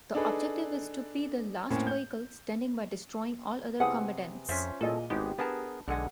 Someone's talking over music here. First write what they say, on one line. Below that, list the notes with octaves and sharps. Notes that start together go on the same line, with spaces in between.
The objective is to be the last vehicle standing by destroying all other combatants.
D4 D#4 G#4 A4 B4
A2 A#3 C4 C#4
G6
C3 G#4 B4 F#5 D#6
F2 C#4 F4 C5 E5
A#2 G#4 A4 D#5
G#1 G#3 B3 D#4 G4
B3 D4 G#4 A#4 B4 A5
B1 D3 G#3 A4 F#5 G#5